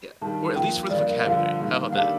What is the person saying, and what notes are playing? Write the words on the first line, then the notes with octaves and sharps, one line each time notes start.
Yeah, or at least for the vocabulary how about that?
G2 D#3 G3 A5
G2 F3 A#3 G5
G2 F3 A#3 D5
A#4
G2 D3 F3 F5
G2 D#3 A#3
D#3 G3 A#3 D4 A4 F5